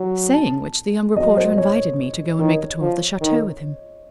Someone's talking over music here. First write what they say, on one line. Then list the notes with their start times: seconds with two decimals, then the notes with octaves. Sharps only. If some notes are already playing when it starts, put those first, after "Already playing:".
Saying which the young reporter invited me to go and make the tour of the chateau with him.
Already playing: F#3
0.34 A5
1.16 F#3 D#5
1.37 C5
1.57 C#5
2.39 D#3
2.81 F3
3.21 D#3